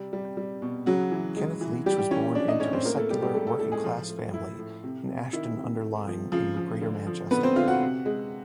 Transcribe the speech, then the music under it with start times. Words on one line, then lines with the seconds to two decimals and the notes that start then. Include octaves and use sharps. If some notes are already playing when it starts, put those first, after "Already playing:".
Kenneth Leech was born into a secular working-class family in Ashton-under-Lyne in greater Manchester.
Already playing: C3 G3
0.13 G3
0.37 G3
0.62 B2
0.86 C#3 F#3 F#4
1.12 E3
1.36 G#3
1.61 E3
1.86 G3 G4
1.98 G3 G4
2.11 E3 C#4 C#5
2.35 E3 D4 D5
2.48 D#4 D#5
2.60 A2 C#4 C#5
2.73 C4 C5
2.85 A2 A#3 A#4
2.97 A3 A4
3.10 G3 G#3 G4
3.22 G3 G4
3.34 G#3 A3 A4
3.47 A3 A4
3.59 A2 A3 A4
3.72 G#3 G#4
3.84 A2 F3 F4
4.09 A3
4.34 A2 E4
4.59 A2
4.84 C3
5.08 C3
5.33 D#3 E4
5.57 C3
5.83 A3
6.07 F3
6.32 C#3 F3 F4
6.57 F3
6.81 D3
7.07 F3
7.31 D3 B3 B4
7.43 C4 C5
7.56 D3 F4 F5
7.68 F#4 F#5
7.81 C3
8.05 G#3